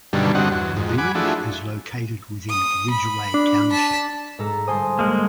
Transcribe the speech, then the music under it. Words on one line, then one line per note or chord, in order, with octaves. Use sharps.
The village is located within Ridgeway Township.
G2 B2 D3 D#3 F#3 G3
G2 D3 F#3 C4 D#5 F#5
E2 F#3
F2 G#2
F#5 G#5 B5 D6
F3 A3 D4 E4 F#4 G#4
D#6
B5
D4
A5 B6
G#2 A4 A#5
G1 C5 G#5 A5 C6 D#6
G#3 A#3